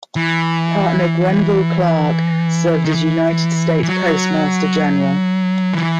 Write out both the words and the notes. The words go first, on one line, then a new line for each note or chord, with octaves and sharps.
Partner Grenville Clark served as United States Postmaster General.
E3
D#3
E3
E3
F#3
E3